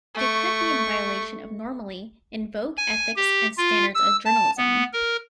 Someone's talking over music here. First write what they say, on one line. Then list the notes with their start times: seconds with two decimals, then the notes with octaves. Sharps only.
It could be in violation of normally in vogue ethics and standards of journalism.
0.15 A3 C#6
2.77 G#5
3.16 G4
3.57 F4
3.95 E6
4.25 A5
4.57 B3
4.93 A#4